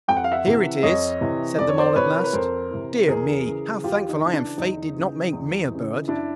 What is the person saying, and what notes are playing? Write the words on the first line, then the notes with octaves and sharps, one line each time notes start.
'Here it is,' said the mole at last; 'dear me, how thankful I am Fate did not make me a bird.
F2 G5
F#5
F5
E5 F#5
C3 E3
F2 C#5 D#5
C3 E3
F2 D5
C#5
C5 D5
C3 E3 B4 C#5
A#4
B4
F2 A#4 C5
C3 E3
E2 G#4 A#4
C#3 E3
E2 F4 G4
D#4
C#3 E3
D4
E2 D#4
C#3 E3
E2
C#3 E3
F#2 D4 E4